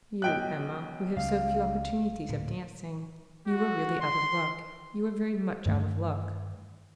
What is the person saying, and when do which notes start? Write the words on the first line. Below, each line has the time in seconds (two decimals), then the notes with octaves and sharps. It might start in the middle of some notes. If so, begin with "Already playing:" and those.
"You, Emma, who have so few opportunities of dancing, you are really out of luck; you are very much out of luck!"
0.22 B1 G5 F#6
1.16 C#2 F5
2.28 D1 A#2
3.47 F#4
4.01 C6
5.66 G2 D#3 A3